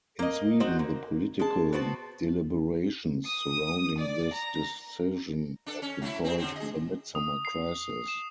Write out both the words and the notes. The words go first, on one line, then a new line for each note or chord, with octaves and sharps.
In Sweden the political deliberations surrounding this decision have been called the "midsummer crisis".
A#3 D#5
C4 D#4 F#4
A#3
G#3 A5
B3 C4 F#4 A5
D#6
D5
A#5
D4 A4
C#4
F#3 A3 E4
C4 G#4
D3 F#3 C4
G#4 D#5
D#6
C7
E7